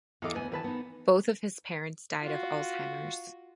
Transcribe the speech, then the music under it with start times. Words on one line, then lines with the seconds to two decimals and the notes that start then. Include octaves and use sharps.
Both of his parents died of Alzheimers.
0.22 E2 A4 D#5 F5 D6
0.34 D2 B3 G#5
0.52 D#3 E3 B4 A5
0.64 B3 D#4
2.20 F4 F#4